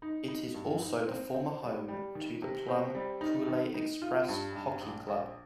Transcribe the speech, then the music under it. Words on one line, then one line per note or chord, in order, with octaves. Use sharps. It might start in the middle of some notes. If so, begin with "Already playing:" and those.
It is also the former home to the Plum Coulee Xpress hockey club.
D#4
D#4
G2
D#4
C4
C4
G3
G3
D#3
C3
C4
G3
D#4
D#3
D#4
F4
G2
G2
A#1
A#1